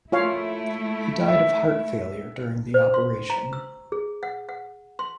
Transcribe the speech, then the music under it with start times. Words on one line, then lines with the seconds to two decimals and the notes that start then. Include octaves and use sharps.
He died of heart failure during the operation.
0.12 A3 E4 F4 C#5 F5
1.28 E5
2.74 C5
2.94 C6
3.30 A#5
3.53 E6
3.92 G#4
4.23 F#5
4.49 F#5
4.99 C6